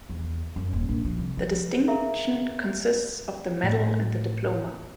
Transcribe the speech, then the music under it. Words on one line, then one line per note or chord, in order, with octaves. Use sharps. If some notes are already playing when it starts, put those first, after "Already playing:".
The distinction consists of the medal and the diploma.
E2
F#2
D#1
A#1
F3
C2
F3
G#4 A#4 E5 F5 A#5
A2